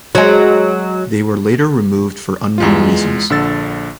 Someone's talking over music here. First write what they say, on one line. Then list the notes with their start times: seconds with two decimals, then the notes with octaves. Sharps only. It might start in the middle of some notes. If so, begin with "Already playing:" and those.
They were later removed for unknown reasons.
0.15 F#3 G#3
2.58 E2 G#3 F4
3.30 A#1 D3 E6 A6